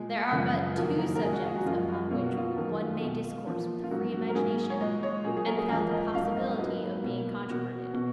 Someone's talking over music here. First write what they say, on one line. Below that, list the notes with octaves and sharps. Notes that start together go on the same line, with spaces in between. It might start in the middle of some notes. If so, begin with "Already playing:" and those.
There are but two subjects upon which one may discourse with a free imagination, and without the possibility of being controverted.
Already playing: A#2 G#3 G#4
F#2 C#3 F3 G#3
F2 D#3 F#3 A#3
A#4
A#4
A#2 G#3 G#4
F#4
F4
F#4
F#2 F3 G#3 F4
F#4
B2 A#3 F4
F#4
F4
F2 D#3 F#3 A#3
B2 G#3
A#2 F3 A#3
F4
G#2 F#3 A#3 F#4
F#4
A#4
G#2 F#3 A#3 G#4
C#5
A#2 G#3 D#5
C#5
A#2 F#3 A#3 G#4
G#4
A#4
G#4
F2 F3 G#3 A#4
D#5
G#2 F#3 A#3 F5
D#5
G#2 F#3 A#3 B4
B2 A#3
B2 A#3 F#4
B2 F#4